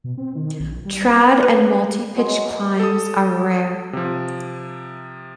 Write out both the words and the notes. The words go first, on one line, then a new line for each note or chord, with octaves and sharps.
Trad and multipitch climbs are rare.
B2
C4
D#3
A#1
G3
B4
F#3 G#3 B3
A4 D#6
C3 F3